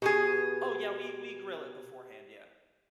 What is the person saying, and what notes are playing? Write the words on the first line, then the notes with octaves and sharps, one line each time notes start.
Oh, yeah, we we grill it beforehand, yeah.
B2 B3 G4 G#4 G#6